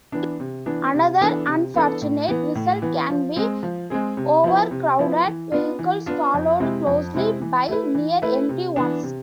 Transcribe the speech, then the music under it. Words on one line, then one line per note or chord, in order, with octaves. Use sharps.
Another unfortunate result can be overcrowded vehicles followed closely by near-empty ones.
E3 B3 D4
C3
E3 B3 D4
C3
E3 B3 D4 A4
C3
E3 B3 D4 A4
A2
E3 B3
A2
E3 B3
F3
G#3 C4 G#4
F3
G#3 C4 G#4
C3
F3 B3 E4
C3
F3 B3 E4
E3
B3 D4 F4
E3
B3 D4 F4
F2
C3 G#3 C4 E4
F2
C3 G#3 C4 E4
E3
A3 E4 B4
E3
A3 E4 B4
C3
E3 B3 D4
C3